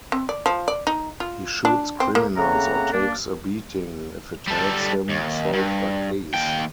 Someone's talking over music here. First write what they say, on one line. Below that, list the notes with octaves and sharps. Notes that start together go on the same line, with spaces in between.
He shoots criminals or takes a beating if it helps him solve a case.
C4
D5
F3
D5
D#4
F4
D4
C4
A#3
C#3 A3 A#3 C4 F#5 A#5
A#3 D4
G3 A4
D#2
G2
D#2 G5